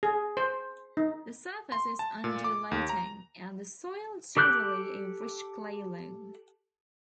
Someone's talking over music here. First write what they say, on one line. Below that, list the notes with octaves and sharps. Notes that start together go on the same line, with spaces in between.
The surface is undulating, and the soil generally a rich clay loam.
G#4
C5
D#4
C6
A5
A#2
D6
D#2
A#5
G4 A4 D6 F#6 G6